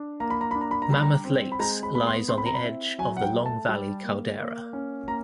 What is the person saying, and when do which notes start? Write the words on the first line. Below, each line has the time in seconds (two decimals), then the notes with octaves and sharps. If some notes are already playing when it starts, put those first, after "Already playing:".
Mammoth Lakes lies on the edge of the Long Valley Caldera.
Already playing: D4
0.20 A#3 A#5
0.30 B5
0.41 A#5
0.51 D4 B5
0.61 A#5
0.71 B5
0.82 A#5
0.90 G3 B5
1.02 A#5
1.25 C4
1.52 B5
1.59 G#3 A#5
1.83 B5
1.94 B3 B5
2.07 C6
2.29 C4 C6
2.38 B5
2.46 A#5
2.54 B5
2.64 E4
2.99 F#3 G#5
3.17 F#5
3.22 G5
3.34 A3
3.46 A5
3.69 G3
4.04 A#3
4.38 A#3
4.73 C#4
5.08 A#3 A#5